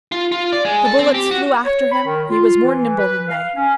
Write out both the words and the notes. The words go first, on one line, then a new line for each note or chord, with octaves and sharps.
The bullets flew after him, he was more nimble than they.
F4
F4
D5
G#3
A4
C4
G4
F#4
C#5
B5
D#3
F4
E3
B4
F5
C#4